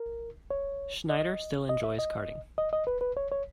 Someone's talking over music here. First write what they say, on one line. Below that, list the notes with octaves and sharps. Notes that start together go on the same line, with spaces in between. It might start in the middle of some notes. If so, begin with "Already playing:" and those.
Schneider still enjoys karting.
Already playing: A#4
C#5
D#5
D#5
E5
D#5
D#5
D#5
B4
B4
C#5
C#5